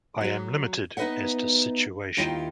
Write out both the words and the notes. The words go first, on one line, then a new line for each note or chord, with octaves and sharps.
I am limited as to situation.
F#3 F#4
B3 D#4 B4 D#5 E5 F#5
D#2 D#3 E4 F4 D#5 G5